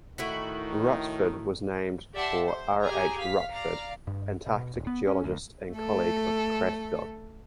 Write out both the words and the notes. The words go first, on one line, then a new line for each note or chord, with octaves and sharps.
Rutford was named for R. H. Rutford, Antarctic geologist and colleague of Craddock.
A2 D#3 A3 E4 F#4
G4 D5 E5 F#5 A5 C6
C5
G4 G#4 G#5 A#5
F5 B6
D5 F5 A#5
G2
B2
D#1
B3
C#4
D2
A3 A4